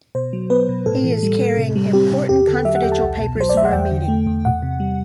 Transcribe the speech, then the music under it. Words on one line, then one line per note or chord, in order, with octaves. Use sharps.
He is carrying important confidential papers for a meeting.
B2 C5
F#3
B3 B4
B2
A2 A4
E3
G3
A2
C3
G3
C4 G4
C3
E2 G4
D3 A4
F#3 E5
F#5
E2 G5
A5
C2
B2
F#3 C5
D5
A3 E5
F#5
E2 G5
D3
A3
E2
E2 F#5
C3
G3